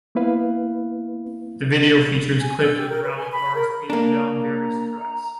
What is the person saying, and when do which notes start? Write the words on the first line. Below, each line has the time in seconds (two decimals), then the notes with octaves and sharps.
The video features clips of rally cars speeding down various tracks.
0.15 A#3 B3 E4 B4 F5
2.40 G#5
2.60 E6
2.78 G4
2.90 A#4
3.02 B4
3.18 G#5
3.32 B5
3.54 A#4
3.90 A#3 D4 A#5